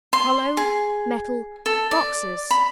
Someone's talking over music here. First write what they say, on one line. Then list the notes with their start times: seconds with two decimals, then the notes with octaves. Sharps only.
Hollow metal--boxes!
0.13 C6
0.57 G#4
1.66 A4
1.91 D5
2.51 B5